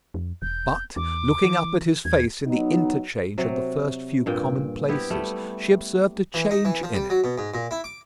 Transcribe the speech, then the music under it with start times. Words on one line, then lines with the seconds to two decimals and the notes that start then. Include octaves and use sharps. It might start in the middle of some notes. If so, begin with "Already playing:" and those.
But, looking up at his face in the interchange of the first few common-places, she observed a change in it.
0.14 F2
0.42 E1 G6
0.96 E2 D6
1.44 E3
2.05 E2 G#6
2.47 F#3 B3 D#4
3.38 C3 F#3
4.26 G2 A#2 G5
4.89 B3 E4 G4
5.10 G3 A3
6.34 E3
6.51 D#4
6.65 E3
6.83 F3
6.94 G3
7.10 F#3
7.24 B2
7.38 G#2
7.54 A#2
7.71 E4
7.84 D6